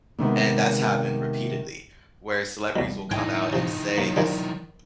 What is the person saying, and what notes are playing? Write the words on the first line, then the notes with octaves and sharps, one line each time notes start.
And that's happened repeatedly, where celebrities will come out and say this
C3 D#3 G#3 B3
C2 B2 G3
A2 E3 D#4 G5 G#5
C3 F3
F#3 A#3
D#3 F3 G3